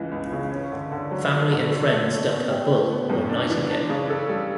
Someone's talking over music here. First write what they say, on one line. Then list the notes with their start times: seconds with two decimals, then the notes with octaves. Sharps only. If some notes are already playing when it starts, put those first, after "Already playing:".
Family and friends dubbed her "bul" or nightingale.
Already playing: C#2 E3
0.12 C#2
0.32 C#3
0.52 C#4
0.72 D3
0.92 D3
1.11 F#3
1.32 D4
1.52 D3
1.71 A4
1.90 A3
2.10 C#4
2.30 B2
2.50 G4
2.70 A3
2.91 B3
3.10 F#2
3.29 D4
3.50 E3
3.70 D4
3.89 C#3
4.10 A4
4.29 G3